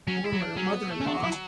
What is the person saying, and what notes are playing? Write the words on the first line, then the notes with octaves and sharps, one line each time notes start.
former mother-in-law
F#3 C#4
E4
F#3
D4
F#3 C#4
B3
A3
C#4
F#3 D4
E4